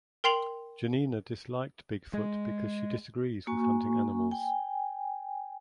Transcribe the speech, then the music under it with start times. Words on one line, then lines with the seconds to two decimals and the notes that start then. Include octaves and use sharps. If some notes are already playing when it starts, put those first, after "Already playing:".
Janina disliked Big Foot because she disagrees with hunting animals.
0.24 A#4 G5 C6 C7 F7 F#7
2.13 G#3
3.47 A#3 F#4 G#5 C#6
4.31 G5 G#5